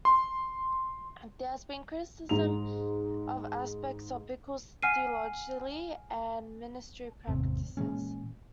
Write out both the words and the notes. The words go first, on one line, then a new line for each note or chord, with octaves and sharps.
There has been criticism of aspects of Bickle's theology and ministry practices.
C6
G#2 A#5 F7
F#5 G#5 F6 C7 D#7
G#1 E2 C3 C4
A#2 E3 G#3 C#4